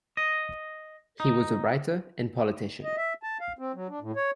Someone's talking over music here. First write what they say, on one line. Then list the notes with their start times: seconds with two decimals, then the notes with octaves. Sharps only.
He was a writer and politician.
0.17 D#5
1.20 D#4
2.84 D#5
2.97 E5
3.23 A5
3.40 F5
3.59 C4
3.75 F#3
3.89 D4
4.01 A2
4.16 C#5